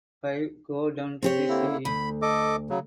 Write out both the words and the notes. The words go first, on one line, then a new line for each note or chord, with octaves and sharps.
Five Go Down to the Sea?
C4 G4 C#5
D3 A#3 E4
D2 B5
A4 D#5 D6
C#3 F#3